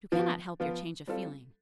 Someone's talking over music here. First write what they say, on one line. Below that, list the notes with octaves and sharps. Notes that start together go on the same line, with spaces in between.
You cannot help your change of feeling.
F3 B3 F4
F3 B3 F4
G3 C4 F4 A4